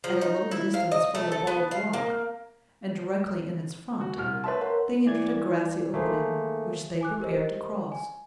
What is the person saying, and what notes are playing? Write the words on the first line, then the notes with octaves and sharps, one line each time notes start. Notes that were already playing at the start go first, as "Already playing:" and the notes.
At a little distance from a bald rock, and directly in its front, they entered a grassy opening, which they prepared to cross.
F3
D#4
E4
F5
D#5
A3
A4
B3
F5
A#3
F#4
C2 F6
B4 C#5 E5 A5 C6
A#4 F#5 C6
E3 D5 G#6
D#3 A3 A#3 G#4 C5
G#5 D6 F#6
G4 A#4 C5 D#5
G#5